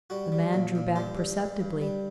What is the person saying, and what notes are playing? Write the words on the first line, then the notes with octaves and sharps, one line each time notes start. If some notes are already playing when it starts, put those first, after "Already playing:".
The man drew back perceptibly.
G3 F#4
G3
A#2
A#2
G2 G4
G2
G2
G2
G3